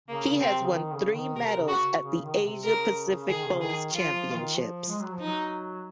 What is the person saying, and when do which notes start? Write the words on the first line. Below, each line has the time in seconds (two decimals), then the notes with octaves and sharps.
He has won three medals at the Asia Pacific Bowls Championships.
0.08 C#3 A#3
0.32 C#3
0.40 C3 C4
0.61 C#3
0.72 D#3
0.93 C#3
1.15 D#3
1.36 C3 A#4
1.58 C#3
1.68 F#4
2.00 C#3
2.22 D#3
2.43 C3
2.64 C#3 A#4
3.28 D#3 G#4
3.45 C3
3.53 C#3
3.61 D#3 G#4
3.92 F3 F4
4.14 F3
4.35 D#3
4.56 F3
4.88 G#3
5.00 F#3
5.13 F3
5.20 F#3 D#4